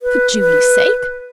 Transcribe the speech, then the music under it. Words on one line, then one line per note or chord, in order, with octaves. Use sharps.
"For Julie's sake!"
B4
B4